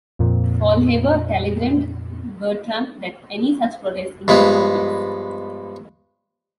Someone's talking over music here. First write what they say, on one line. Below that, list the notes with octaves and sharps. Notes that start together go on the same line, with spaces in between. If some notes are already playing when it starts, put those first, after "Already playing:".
Faulhaber telegrammed Bertram that any such protest would be "hopeless".
F2 A#2
G2 F3 G#3 B3